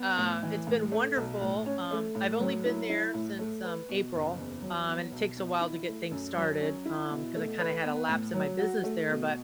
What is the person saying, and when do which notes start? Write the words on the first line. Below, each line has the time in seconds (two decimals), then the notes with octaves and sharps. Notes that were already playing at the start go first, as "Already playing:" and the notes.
uh it's been wonderful, um I've only been there since, um, April, um, and it takes a while to get things started, um, 'cause I kinda had a lapse in my business there, but
Already playing: B3
0.17 A2
0.43 E3
0.67 A2
0.92 A3
1.16 B1
1.41 A2
1.66 C#4
1.91 A3
2.15 A2
2.40 F#3
2.66 E4
2.89 E4
3.14 A2
3.39 A3
3.64 B4
3.89 B2
4.14 F#1
4.39 E2
4.62 F#3
4.87 B3
5.12 B1
5.37 B2
5.61 E4
5.87 A3
6.11 F#2
6.36 F#3
6.61 C#4
6.86 E4
7.10 B2
7.35 A3
7.59 B4
7.84 B3
8.08 A2
8.34 F#3
8.59 F#4
8.84 A3
9.08 B2